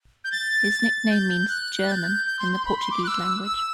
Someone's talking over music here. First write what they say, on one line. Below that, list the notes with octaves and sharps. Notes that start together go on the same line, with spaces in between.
His nickname means "German" in the Portuguese language.
G6
A6
G6
F#6
A6
G6
G6
C6
C6
B5
C6
D6
F#6
E6
E6